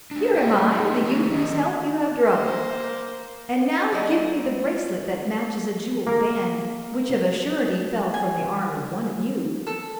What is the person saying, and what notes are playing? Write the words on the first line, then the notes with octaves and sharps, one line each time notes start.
'Here am I, the youth whose health you have drunk; and now give me the bracelet that matches a jewelled band which of a surety fell from the arm of one of you.
A3 D4
C5 C#5 D#5 G5
F3 G#3 C4 D#4 F4
F3 F#4 G4
D#3 A4 D#5
A#3 C5
F#3 B3 D5 D#5
A#3 A#4
G#5
A4